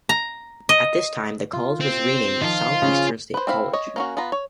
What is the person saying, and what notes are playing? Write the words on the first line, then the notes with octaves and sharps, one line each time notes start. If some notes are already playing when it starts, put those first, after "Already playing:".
At this time, the college was renamed Southeastern State College.
A#5
D#5
F4
C4
D#3 F3 F4
C#3 C#4
B4 C5
C4 E4 F5 B5
C#5 D#5
A#3 C#4 F#4
B3 F4 A#5
C#5